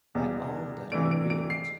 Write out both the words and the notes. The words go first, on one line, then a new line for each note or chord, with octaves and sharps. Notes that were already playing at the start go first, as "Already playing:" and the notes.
I own that I reeled.
E2 B2 G3
C3 E3 A3 D4 D7
D7
D7
C7